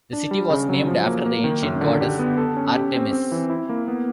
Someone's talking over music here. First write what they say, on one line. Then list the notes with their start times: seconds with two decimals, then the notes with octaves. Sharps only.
The city was named after the ancient goddess Artemis.
0.13 D4
0.31 G3
0.50 C#3
0.69 F#3
0.87 F3
1.06 A#3
1.26 A#3
1.44 D#3
1.63 F#2
1.81 D3
2.01 G4
2.19 B3
2.38 A4
2.57 C#4
2.75 G4
2.94 C4
3.13 C4
3.32 E3
3.50 E4
3.69 A#3
3.88 B3